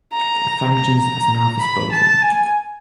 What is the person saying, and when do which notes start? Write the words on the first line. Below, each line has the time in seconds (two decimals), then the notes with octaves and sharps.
It functions as an office building.
0.13 A#5
0.73 A#5
1.03 A#5
1.62 B5
1.92 A5
2.22 G#5